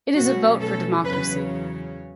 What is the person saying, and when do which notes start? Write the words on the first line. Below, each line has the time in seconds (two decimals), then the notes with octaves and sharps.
It is a vote for democracy.
0.15 B2 F#3 A3 C#4 F#4
0.60 A4
1.04 E2 C#3 F#3 C#4 B4